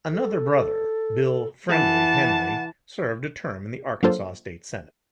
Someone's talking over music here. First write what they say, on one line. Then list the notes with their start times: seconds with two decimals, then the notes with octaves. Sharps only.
Another brother, Bill "Friendly" Henley, served a term in the Arkansas State Senate.
0.12 A4
1.69 E3 F#5 A5
4.03 F#3 A#3 D4 F4 A4 C5